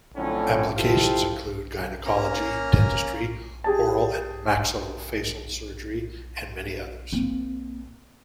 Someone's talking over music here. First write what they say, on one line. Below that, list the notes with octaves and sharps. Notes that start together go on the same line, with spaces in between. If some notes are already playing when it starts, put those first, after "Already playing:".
Applications include gynecology, dentistry, oral and maxillofacial surgery, and many others.
F2 A2 D3 F#3 C#4
E4 F4 G4 A4 C5 F5
A#3 C#4 A#5 F6
G4 G#4 A5
A#3 C4